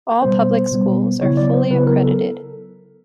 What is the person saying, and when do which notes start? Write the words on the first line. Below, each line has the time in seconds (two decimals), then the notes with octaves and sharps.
All public schools are fully accredited.
0.22 B2 G3 B3 C5
0.72 B2 G3 B3
1.21 C#3 F#3 B3 E4 C#5
1.37 D5
1.54 C5
1.70 C#3 F#3 B3 E4 B4
1.87 A#4
2.03 A4